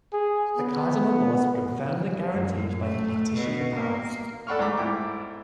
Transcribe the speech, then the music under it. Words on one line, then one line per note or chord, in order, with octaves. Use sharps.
The Cardinal Laws were confirmed and guaranteed by the partitioning powers.
G#4
B3
F#2
A3
B2
A#3
A4 D5 F#5 B5 C#6 F6
G#2 A3 A#5 B5 D6
G#2 E4 G5 D6